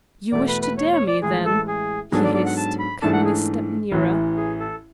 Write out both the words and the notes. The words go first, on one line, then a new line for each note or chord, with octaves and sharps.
"You wish to dare me, then?" he hissed, coming a step nearer.
E2 B2 A3 D5
B4
B4
C#5
C#5
D5
A1 A2 G#3 G#4
A4
G#4
G#2 F#3 B3 D4 G#4 A4
D5
D5
F#5
A5
B5
G#2 E3 A3 D4 A4 A5
F#5
G#4
A1 A2 E3
G#4
A4